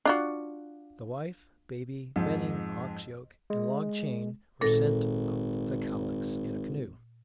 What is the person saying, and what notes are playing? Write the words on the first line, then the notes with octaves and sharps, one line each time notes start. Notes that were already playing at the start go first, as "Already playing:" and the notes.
The wife, baby, bedding, ox yoke, and log chain were sent up the Cowlitz in a canoe.
D4 F4 F#4
F2 G#2
G#3
G#1 A#2 A4 A#6